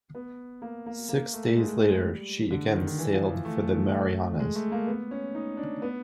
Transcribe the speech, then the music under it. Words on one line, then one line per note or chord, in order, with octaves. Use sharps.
Six days later, she again sailed for the Marianas.
B3
A#3
A#3
A#3
A3
G#3
G3
D3
D#3
D#3
E3
F3
E3
A3
G#3
A3
A#3
B3
C#4
D#4
D4
B3